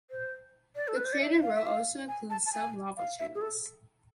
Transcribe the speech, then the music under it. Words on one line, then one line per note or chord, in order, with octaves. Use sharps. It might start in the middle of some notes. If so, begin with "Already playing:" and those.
The crater row also includes some lava channels.
C5
D5
A4
B4
C5
D5
E5
F5
E5
F5
G#5
A5
A5
G#5
F5
E5
G#4
A4